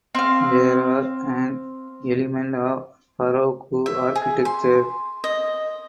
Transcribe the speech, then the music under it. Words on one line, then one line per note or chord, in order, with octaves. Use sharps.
They are an element of Baroque architecture.
C4 F5
E5
G#4
C6
D#5